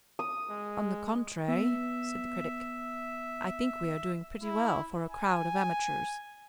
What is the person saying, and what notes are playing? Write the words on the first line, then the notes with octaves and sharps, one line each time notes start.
"On the contrary," said the Critic, "I think we are doing pretty well for a crowd of amateurs."
D#6
G#3
B3 E5
E4
G#5